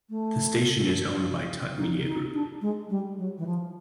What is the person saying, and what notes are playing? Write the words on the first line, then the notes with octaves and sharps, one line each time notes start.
The station is owned by Tutt Media Group.
A3
D#4
D#4
D4
G#3
G3
F#3
E3
F3